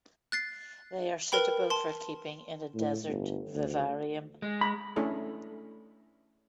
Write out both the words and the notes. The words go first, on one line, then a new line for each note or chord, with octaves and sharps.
They are suitable for keeping in a desert vivarium.
F#6 A6 C7
A#4 B4 G5 B5
A5 C6
A2
G1
D2
G#3
B5
A3 C#4 D4 E4 G#4 A4